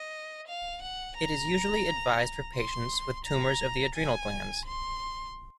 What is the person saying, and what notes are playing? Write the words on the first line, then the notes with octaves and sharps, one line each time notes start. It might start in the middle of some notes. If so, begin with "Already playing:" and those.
It is usually advised for patients with tumors of the adrenal glands.
Already playing: D#5
F5
F#5
A#5
C6
A#5
G#5
C6